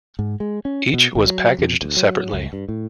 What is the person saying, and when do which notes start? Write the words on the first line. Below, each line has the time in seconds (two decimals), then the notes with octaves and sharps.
Each was packaged separately.
0.19 G#2
0.40 G#3
0.65 C#4
0.94 B2
1.15 G#1
1.27 F#3
1.59 F2
1.82 D2
1.97 F#3
2.33 C#2
2.53 G2
2.69 A2